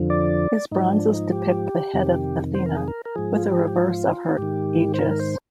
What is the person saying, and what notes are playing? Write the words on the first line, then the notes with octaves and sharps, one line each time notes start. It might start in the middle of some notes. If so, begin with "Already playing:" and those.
His bronzes depict the head of Athena with a reverse of her aegis.
Already playing: F2 D3 F3
D5
G#2 F3 D#4
D4
D#4
G4
F2 C3 D#3
C5
A#4
G#4
A#4
A#4
G#2 F3 G#4
F4
G4
G#4
G4
F4
G#2 D#3 G4
C5
A#4
A#4
C5